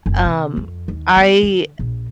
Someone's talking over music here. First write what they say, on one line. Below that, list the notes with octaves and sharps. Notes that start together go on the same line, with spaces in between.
um, I
F#1
C3
F2
D#2
B3
D3
A#1